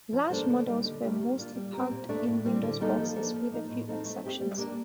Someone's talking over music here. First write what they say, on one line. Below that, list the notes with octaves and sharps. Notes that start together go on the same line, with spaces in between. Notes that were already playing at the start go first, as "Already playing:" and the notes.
Large models were mostly packed in window boxes, with a few exceptions.
F3
A#3 D4 A4 C5
D3
G3 A#3 D#4
D3
G3 A#3 D4 G4
D#3
A#3 D4 F4
G3
C4 G4 A#4
A#2
A3 D4
A2
G3 C4 G4
D3
G3 A#3 D#4 A4
F3
A#3 D4 A4 C5
F3
A#3 D#4
A2
F3 C4 D#4 A4
A3
C4 G4
G3
A#3 D4